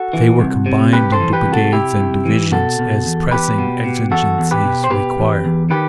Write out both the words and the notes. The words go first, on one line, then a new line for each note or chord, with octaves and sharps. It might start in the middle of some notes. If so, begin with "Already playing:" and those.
They were combined into brigades and divisions as pressing exigencies required.
Already playing: F#4 A4
E3
C2
C3
C2 G4 B4
A4 C5
E3
G4 B4
C2
F#4 A4
C3 E4 G4
C2
E3
B2 F#4 A4
B2
E2
E2 G4 B4
B2
B2
E2 F#4 A4
E2
G4 B4
B2
C5
B2 G4 B4
E2
E2
D#3 G4 B4